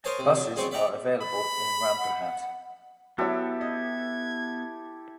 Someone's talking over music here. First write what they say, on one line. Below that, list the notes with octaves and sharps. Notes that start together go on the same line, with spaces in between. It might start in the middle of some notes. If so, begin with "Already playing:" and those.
Buses are available in Rampurhat.
A#4 C5 C#5 D#5 G#5 A5
C3
F#3
C#3 F#3 C4 C5 D5 C#6
D5 E5 F#5 G5 A#5
B5
F#5
F#3 B3 E4 F#4 G4 A4 C#5
D#5 G#6